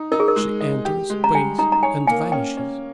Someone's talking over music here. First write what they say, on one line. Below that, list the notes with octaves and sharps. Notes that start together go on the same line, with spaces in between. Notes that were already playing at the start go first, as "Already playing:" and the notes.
She enters, pays, and vanishes.
Already playing: D#4
D#4 A#4
G#4
A#4
G#3
D#5
G4
G#3
A#5
G3 G#5
D#4 A#5
A#5
C#5 G#5
A#3 G#5
C#4 G5
C#4